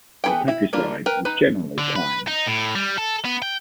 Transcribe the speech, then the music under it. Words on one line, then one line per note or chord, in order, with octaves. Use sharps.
The countryside is generally plain.
E3 B3 E4 A4 G5
E4
G3 A#3 D4 F4 A#4
A#4 B4 G5
D#4 B4
D3
B4
D#4
A2
G3
A4
B3
G5